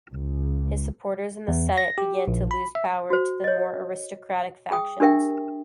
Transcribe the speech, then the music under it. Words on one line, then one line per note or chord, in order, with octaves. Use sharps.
His supporters in the Senate began to lose power to the more aristocratic factions.
C#2
E2
A#6
G4
A#1
B5
E5
F#4 C5
C#5 D#5
G#4 G5 D#6
D4 G4 A#4 E5 G5